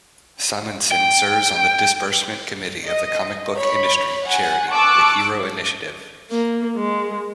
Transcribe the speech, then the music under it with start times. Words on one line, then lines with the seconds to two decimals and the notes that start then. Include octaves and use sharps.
Simonson serves on the Disbursement Committee of the comic-book industry charity The Hero Initiative.
0.92 G5
2.84 D#5
3.56 C#5 B5
4.24 F#5 G#5
4.72 A5 C#6 D6 E6 F#6
6.31 A#3
6.77 G#3